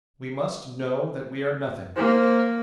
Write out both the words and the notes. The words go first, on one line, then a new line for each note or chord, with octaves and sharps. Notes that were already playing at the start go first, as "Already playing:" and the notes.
We must know that we are nothing.
A#3 C5